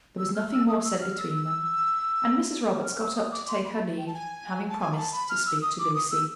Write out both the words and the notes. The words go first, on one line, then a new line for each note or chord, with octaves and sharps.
There was nothing more said between them, and Mrs. Robarts got up to take her leave, having promised to speak to Lucy.
E6
F6
E6
D#6
D#6
E6
F6
E6
E6
F6
E6
D#6
D6
C6
B5
G5
A5
G#5
A5
G#5
A#5
A5
B5
F6
E6
D#6
D6
D#6
E6